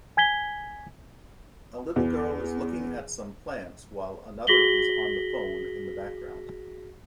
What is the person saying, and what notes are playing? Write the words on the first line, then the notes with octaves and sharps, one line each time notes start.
A little girl is looking at some plants while another is on the phone in the background.
G#5 G#6 B6 G7
E2
F#4 G#4 A#6 B6 F#7 G7